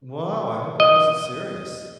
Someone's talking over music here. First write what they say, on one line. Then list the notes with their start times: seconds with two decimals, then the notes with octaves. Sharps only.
Wow, I hope it wasn't serious.
0.80 D#5